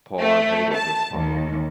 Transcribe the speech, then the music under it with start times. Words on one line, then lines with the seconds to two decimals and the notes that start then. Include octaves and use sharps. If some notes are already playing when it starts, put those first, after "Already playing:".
Paul hated his father.
0.19 A3
0.75 A5
1.14 D#2